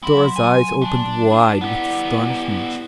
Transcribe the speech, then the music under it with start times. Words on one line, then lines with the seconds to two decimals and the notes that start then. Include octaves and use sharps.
Dora's eyes opened wide with astonishment.
0.03 F#3 E4 C6
0.36 G#5
0.82 D4
1.61 B3 E4 G4 D5 F#5